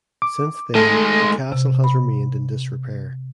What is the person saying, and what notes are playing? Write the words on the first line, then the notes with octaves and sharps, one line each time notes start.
Since then the castle has remained in disrepair.
D6
D#3 G#3 A3 A4
C3
B5